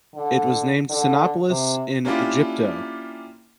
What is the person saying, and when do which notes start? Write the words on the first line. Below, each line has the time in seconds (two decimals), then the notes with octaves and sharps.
It was named Cynopolis in Aegypto.
0.15 D3
0.90 D3
1.50 C3
2.05 A#3 C#4 D4 E4 F4 G4